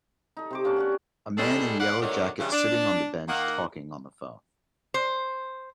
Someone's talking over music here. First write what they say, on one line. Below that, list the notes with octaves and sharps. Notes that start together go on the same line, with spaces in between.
A man in a yellow jacket sitting on the bench talking on the phone.
D#4 A4
C3 C5 D6
A#3 C#4 D4 D5
F#4 G4 F#5
A2 G3 G#3 G#4 A4
B3 D5 F5 F#5
E2 A2 D#3 D4 F#4 C#5
G2 C#3 E3
D4
D#3 A#3 F#5
C5